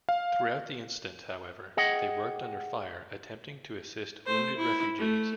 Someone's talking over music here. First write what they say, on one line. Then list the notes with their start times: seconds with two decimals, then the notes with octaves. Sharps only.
Throughout the incident, however, they worked under fire attempting to assist wounded refugees.
0.09 F5
1.77 G#4 D#5 F#5 G5
4.26 A3 C5
4.56 E4
4.98 A3